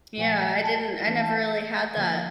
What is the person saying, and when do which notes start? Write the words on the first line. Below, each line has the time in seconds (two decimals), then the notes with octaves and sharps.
yeah, I didn't I never really had that.
0.17 A#2 F3 A3 F#5 G#5
0.53 G#5
0.62 G5 A5
1.07 E3 A3 D4 G5 A5
1.96 D3 F3 A#3
2.08 G5